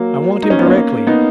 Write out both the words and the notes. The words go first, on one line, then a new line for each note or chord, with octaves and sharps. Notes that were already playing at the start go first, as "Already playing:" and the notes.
I want him directly.
Already playing: F#3 A#3
D#4
C#4
B3
A#3 C#4
B3 D#4